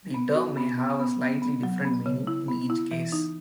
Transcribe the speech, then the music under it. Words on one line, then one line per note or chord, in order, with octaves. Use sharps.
The term may have a slightly different meaning in each case.
B3
F#4
B3
B3
B3
B3
B3
F#3
B3
C#3
E4
B3
E4
E3
D#4